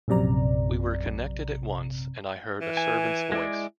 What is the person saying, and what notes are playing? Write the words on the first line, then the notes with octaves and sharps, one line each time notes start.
We were connected at once, and I heard a servant’s voice.
A#1 F#2 C3 D5 A#5
E3
G#5
G#3 E4 D5